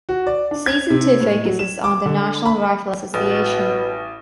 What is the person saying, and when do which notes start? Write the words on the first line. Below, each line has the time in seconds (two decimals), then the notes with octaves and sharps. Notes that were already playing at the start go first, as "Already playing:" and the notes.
Season two focuses on the National Rifle Association.
0.09 F#4
0.27 D5
0.51 D4
0.66 G#6
0.90 C3
1.21 A2
1.45 F#3
1.59 E7
1.84 D6
2.06 D3
2.46 B5
3.14 A1 B2